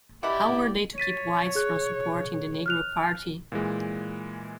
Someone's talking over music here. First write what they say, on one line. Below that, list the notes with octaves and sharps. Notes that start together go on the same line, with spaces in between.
How were they to keep whites from supporting the "negro party"?
B2 E4 G4 D5 F#5 B5 D6
C#5 A6 B6 D#7
G#4 F#6
F6 F#6 F7
A#2 E3 G#3